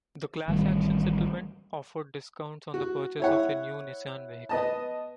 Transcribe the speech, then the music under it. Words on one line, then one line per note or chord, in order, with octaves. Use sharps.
The class-action settlement offered discounts on the purchase of a new Nissan vehicle.
A1 D#3 G3 A3
F#4
E4 C#5 F#5
B3 D#5 A5